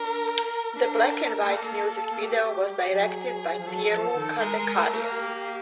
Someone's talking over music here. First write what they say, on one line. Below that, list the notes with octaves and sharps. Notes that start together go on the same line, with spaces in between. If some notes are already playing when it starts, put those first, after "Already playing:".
The black and white music video was directed by Pierluca DeCario.
Already playing: D4 A#4
D4 A#4
A3
A#3 A4
A4
A#3
A3 G4
G3
F#3 G#4
F3
F#3 A4
F3
D#3
G#3 A#4
G#3
A3
A#3
G4